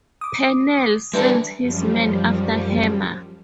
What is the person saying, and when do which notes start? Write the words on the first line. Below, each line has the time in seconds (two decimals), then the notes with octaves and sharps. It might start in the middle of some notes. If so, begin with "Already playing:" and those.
Pennell sends his men after Hammer.
0.21 D6 D#6
1.14 E3 G3 G#3 D4 A4
1.60 F#2 F3 G3